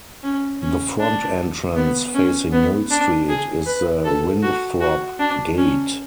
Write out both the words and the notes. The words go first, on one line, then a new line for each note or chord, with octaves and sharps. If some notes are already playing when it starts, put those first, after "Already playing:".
The front entrance, facing Mill Street, is the Winthrop Gate.
C#4
C#4
D4
B3
C#4
B3
D4
G#4
B4
A4
F#4
F#4
D4
C#4